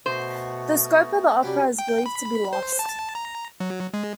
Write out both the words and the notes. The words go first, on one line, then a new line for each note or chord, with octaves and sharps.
The score of the opera is believed to be lost.
B2 A3 B3 F#4 C5
C3 G3 C#4 F#4 G5 B5
G5
B5
C5
A5
A#5
F#3
G#3